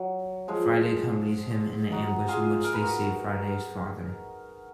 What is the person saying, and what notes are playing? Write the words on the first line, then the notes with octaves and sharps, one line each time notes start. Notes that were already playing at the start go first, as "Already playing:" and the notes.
Friday accompanies him in an ambush in which they save Friday's father.
Already playing: F#3
F3 G#3
D#4 F#4
F4 G#4
A#4
B4
F#4 A#4